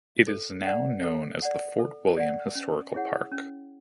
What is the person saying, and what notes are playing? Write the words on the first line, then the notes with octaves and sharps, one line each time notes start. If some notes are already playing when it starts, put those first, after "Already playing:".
It is now known as the Fort William Historical Park.
A4
D5 F#5
A4
D5 F#5
A4
D5 F#5
C#4
E4 G#4 C#5 F#5
C#4